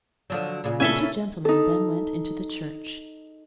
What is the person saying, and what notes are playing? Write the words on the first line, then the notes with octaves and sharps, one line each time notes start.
The two gentlemen then went into the church.
D3 F3 F#3
A#2 C#3
A#3 C#4 E4 A4 E5 G#5
D#4 A4